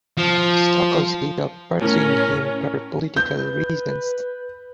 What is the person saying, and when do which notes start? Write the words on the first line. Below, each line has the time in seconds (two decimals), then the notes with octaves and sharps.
Sarkozy of pursuing him for political reasons.
0.18 F3
1.81 A2 C#4 A#4
3.17 B4 G6